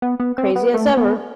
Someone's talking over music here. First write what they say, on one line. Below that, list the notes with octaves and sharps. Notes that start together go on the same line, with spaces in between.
Crazy as ever!
B3
B3
C4
B3
A3
B3